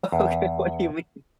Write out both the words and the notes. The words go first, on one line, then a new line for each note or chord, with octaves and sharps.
Okay, what do you mean?
E2